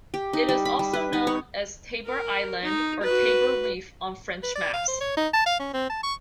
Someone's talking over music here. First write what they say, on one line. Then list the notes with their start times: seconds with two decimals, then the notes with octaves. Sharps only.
It is also known as Tabor Island or Tabor Reef on French maps.
0.14 G4
0.33 D#4
0.49 G3
0.65 B5
0.79 G3
0.93 B4
1.13 D#4
1.27 C#5
2.06 A#4
2.63 D#4
3.03 F#4 B4
4.43 B4
4.56 D5
4.73 F5
4.88 C5
5.01 C#5
5.17 D#4
5.34 A5
5.46 F5
5.60 C#4
5.74 C4
5.90 A5
6.03 C#6